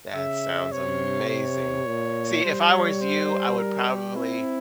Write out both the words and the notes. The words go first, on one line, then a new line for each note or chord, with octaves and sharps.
That sounds amazing. See, if I was you, I would probably
C#3 E5
C3 C#5
C#5
A#2
G3 C5
C#5
C5
A#4
G4
C4 E4